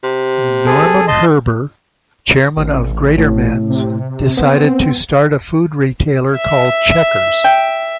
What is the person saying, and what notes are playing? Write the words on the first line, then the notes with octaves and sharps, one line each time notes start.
Norman Herber, chairman of Greatermans decided to start a food retailer called Checkers.
C3
G#4 A4
D#5 A5 C6
A1
A2
C3
B3 C4
E5
G5